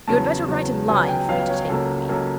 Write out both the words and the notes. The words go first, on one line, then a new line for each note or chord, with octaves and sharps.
You had better write a line for me to take with me.
E2 C#3 F#3 A5
E2 C#3 F#3
C#2 C#3 F#3 B3 G#5
G5
C#2 C#3 F#3 B3 F5
C#5
C#2 C#3 F#3 A#3 A4
C#2 C#3 F#3 A#3 A4